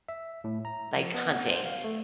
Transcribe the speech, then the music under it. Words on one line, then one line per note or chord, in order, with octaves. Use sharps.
like, hunting,
E5
A2
A#5
F3
B3
F#5
C5
F5
A3